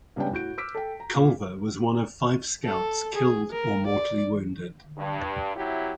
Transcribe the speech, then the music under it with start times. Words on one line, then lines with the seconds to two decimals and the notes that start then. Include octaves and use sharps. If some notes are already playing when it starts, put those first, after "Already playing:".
Culver was one of five scouts killed or mortally wounded.
0.16 C#2 G3 B3 C#4 D4 G5
0.32 A2 F#4 G6 D7
0.58 D6 E6 F6 B6 D7
0.75 A4 G5
1.00 A#5
1.15 A#2
2.64 A4
3.14 G#4
3.52 A#4
3.86 D5
4.98 G2
5.56 C3 F#3 E4 G4